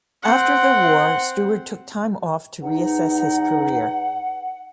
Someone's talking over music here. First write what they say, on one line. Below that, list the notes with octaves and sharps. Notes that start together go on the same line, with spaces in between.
After the war, Stewart took time off to reassess his career.
C4 F#5
E2 D#4 F#5